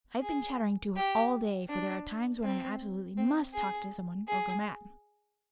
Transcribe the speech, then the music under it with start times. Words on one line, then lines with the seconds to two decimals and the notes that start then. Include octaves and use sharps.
I have been chattering to her all day, for there are times when I absolutely must talk to someone or go mad.
0.22 G#4
0.96 G4
1.69 D4
2.43 C4
3.17 C4
3.54 G#4
4.28 G#4